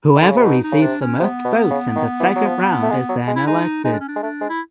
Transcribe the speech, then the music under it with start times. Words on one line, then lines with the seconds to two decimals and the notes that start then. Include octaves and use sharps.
Whoever receives the most votes in the second round is then elected.
0.15 D#3
0.22 D3
0.30 C#3
0.37 C3
0.44 B2 D#4
0.64 D#4
0.72 C#3
0.82 C3 D4
1.01 C#4
1.19 C3 B3
1.44 B2
1.70 C#3
1.96 D#3
2.20 E3
2.36 F#3
2.46 F3
2.83 A3
2.90 G#3
3.09 F#3
3.27 G#3
3.35 E4
3.47 G#3 D#4
3.84 G#3 D#4
3.93 D4
4.00 C#4
4.08 D4
4.16 G#3
4.23 A3 D4
4.41 G#3
4.49 E4